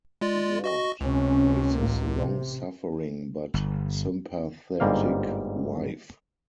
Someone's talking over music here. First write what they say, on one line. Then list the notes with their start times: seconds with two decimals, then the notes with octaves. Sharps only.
Ward plays his long-suffering but sympathetic wife.
0.21 G#3 F4 D5
0.64 F#4 D#5 C#6
1.01 C#2 C3 C#4
1.75 A1 A#3
2.14 C3
3.54 G1
4.80 G1 G#2 G3 A#3 F5